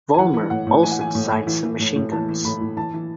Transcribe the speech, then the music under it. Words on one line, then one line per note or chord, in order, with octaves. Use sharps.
Vollmer also designed some machine guns.
G#5
E3 F#5
E3
A2 F#5
A2
E3 G#5
F#5
E3 G#5
A2
A2
E3
E3
A2
A2
E3 A5
E3
A2 B5
A2
E3 A5
E3